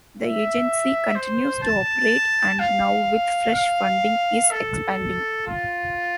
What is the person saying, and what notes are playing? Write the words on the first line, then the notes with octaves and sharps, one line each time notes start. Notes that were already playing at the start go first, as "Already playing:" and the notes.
The agency continues to operate, and now with fresh funding, is expanding.
E5
C5
A5
F5
F5
A4
F4